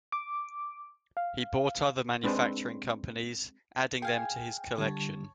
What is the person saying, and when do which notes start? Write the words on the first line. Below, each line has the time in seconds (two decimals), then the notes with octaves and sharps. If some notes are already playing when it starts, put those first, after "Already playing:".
He bought other manufacturing companies, adding them to his collection.
0.12 D6
1.17 F5
2.23 G#3 C4 D4 B4 C5
4.02 G#4 F5 G5 G#5
4.78 D3 G3 C#5 A5